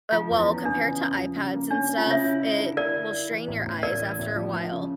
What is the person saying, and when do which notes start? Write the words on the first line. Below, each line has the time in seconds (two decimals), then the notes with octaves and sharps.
uh, well, compared to iPads and stuff, it will strain your eyes after a while,
0.12 F3 F4
0.30 E2
0.39 E4
0.48 C#4
0.65 E2 D4
0.83 C#3
1.01 C#3
1.18 F3
1.36 C#3
1.53 A#3
1.71 C#4 D4
1.89 C#4
1.98 F4
2.06 C#3 C#5 E5
2.24 E4
2.42 E4
2.60 D3
2.77 E4 A#4 D5
2.95 E4
3.12 E4
3.31 E3
3.48 A1
3.66 A1
3.83 A1 A#4 D5
4.01 E3
4.19 A1
4.36 F3
4.53 F3
4.72 C#3